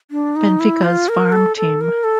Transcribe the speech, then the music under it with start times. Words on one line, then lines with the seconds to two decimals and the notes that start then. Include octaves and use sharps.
Benfica's farm team.
0.11 D4
0.36 D#4
0.60 E4
0.84 F4
1.09 A#4
1.32 A4
1.57 A4
1.81 A#4
2.04 A4